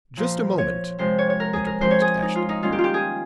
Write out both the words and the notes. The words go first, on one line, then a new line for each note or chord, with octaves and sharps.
"Just a moment," interposed Ashton-Kirk.
A#2 F3 A#3
C#5
C3 F3 G#3 C5
C#5
C#5
A#4
G#4
A#4
F3 G#3 C4 C5
C#5
G#4
D#4
F4
D#4
D#3 G3 A#3 C#4 F4
G4
F4
G4
G#4